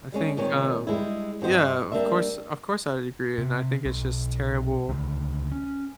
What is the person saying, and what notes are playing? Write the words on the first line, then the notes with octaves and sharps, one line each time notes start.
I think, um yeah, of course of course I'd agree, and I think it's just terrible
G3 G#3 C#4
A#2 D#3 G#3 C4 C#5
G3 G#3 C4 D4 E4
G2 C4 F#4 C5 D#5
G3 A#3 D4 E5
C3
B1
C#2 D3
C#4